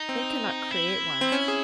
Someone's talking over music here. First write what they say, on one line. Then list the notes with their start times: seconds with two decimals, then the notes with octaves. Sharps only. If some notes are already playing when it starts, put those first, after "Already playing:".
They cannot create one.
Already playing: D#4
0.09 C4
0.71 E4
1.21 C4
1.32 C#4
1.48 G#4